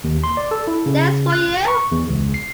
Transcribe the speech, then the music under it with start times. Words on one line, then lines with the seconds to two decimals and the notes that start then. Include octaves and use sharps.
There's for you!
0.04 D#2
0.24 C6
0.37 D5
0.51 A4
0.67 E4
0.86 C#3
1.32 F#6
1.48 G1
1.68 C#6
1.92 E2
2.10 C#2
2.34 C7